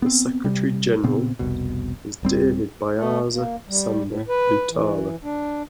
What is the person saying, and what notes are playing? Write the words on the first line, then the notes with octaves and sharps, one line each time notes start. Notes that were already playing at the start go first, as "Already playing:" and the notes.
The Secretary General is David Byaza Sanda Lutala.
B3 C4
C3 G3
A#2 C#3 B3 C4
F1 C2 B2
D1 G3 C4
A3
A#3
G3
A2
B4
E3
D4